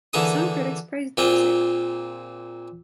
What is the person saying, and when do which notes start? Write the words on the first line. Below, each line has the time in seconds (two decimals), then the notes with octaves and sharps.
Some critics praised the music.
0.13 D3 E3 A#3 G#4 A5 D#6
1.17 A#2 A#3 C4 F4 G#4